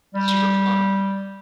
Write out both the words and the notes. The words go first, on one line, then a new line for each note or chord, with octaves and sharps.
it's super fun.
G3